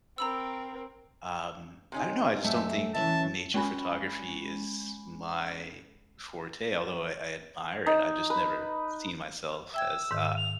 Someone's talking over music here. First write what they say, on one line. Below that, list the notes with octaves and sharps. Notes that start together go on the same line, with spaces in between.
Um, I don't know, I just don't think nature photography is my forte, although I I admire it. I've just never seen myself as, uh,
C4 A#4 A#5 B5 E6
C3 C#4 D#4
F#2 A3 E5
E3 C#4 E5 A5
G#3 C#4 G#5 B5
D#4
B4
E5 G5 E6 G#6
G#2 D#3
F7